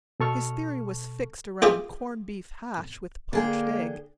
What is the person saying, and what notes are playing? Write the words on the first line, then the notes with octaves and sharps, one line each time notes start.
His theory was fixed around corned-beef hash with poached egg.
B2 A4 C#6 F6
F4 G4 G#4 E5
D3 A#3 G#4 G5